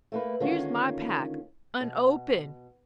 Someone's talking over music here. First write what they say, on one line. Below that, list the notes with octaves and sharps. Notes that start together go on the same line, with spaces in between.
"Here's my pack unopened!"
A3 A#3 B4
D3 D#3 G#3 A#3 C#4 F4
B2